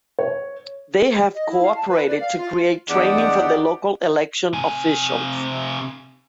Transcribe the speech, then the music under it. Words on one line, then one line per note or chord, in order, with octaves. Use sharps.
They have cooperated to create training for the local election officials.
C#5
D#5
E4
F5
A5
B4
D5
F5
F4
E2 D4 G4 D#5 F#5
C3 G#5